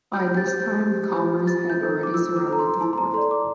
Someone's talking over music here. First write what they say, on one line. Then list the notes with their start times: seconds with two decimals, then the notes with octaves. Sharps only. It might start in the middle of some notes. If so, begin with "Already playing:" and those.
By this time, Chalmers had already surrounded the fort.
0.14 G4 G6
0.37 A6
0.47 C5 G6
0.81 G4
1.14 C5
1.47 F4 A6
1.70 G6
1.81 A4 C5
2.03 D6
2.14 F4 E6
2.37 D6
2.48 A4 C5 A#5
2.59 C6
2.81 E4 A5
2.93 C6
2.98 A#5
3.14 A4 D5 C6
3.31 D6